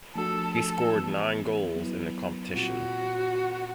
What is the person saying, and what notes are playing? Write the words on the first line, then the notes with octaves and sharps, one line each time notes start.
He scored nine goals in the competition.
F3 A3 D4 F#4 A4
A4
E3 G3 B3
F#3 B3 E4
A#2 G3 C4 F4 F#4